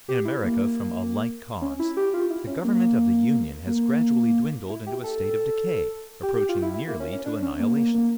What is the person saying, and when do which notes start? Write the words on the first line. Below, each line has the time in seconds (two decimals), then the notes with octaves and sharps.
In America, from a like cause, the government of the Union has gradually dwindled into a state of decay, approaching nearly to annihilation.
0.09 G4
0.25 E4
0.43 A#3
1.62 C#4
1.79 E4
1.97 G4
2.14 F4
2.30 E4
2.47 C#4
2.64 A#3
3.67 A#3
4.69 E4
4.87 G4
5.04 A4
6.23 G4
6.35 G4
6.49 F4
6.62 E4
6.74 E4
6.88 A#3
7.00 C#4
7.12 C#4
7.26 D4
7.42 C#4
7.60 A#3
7.77 A#3
7.94 A#3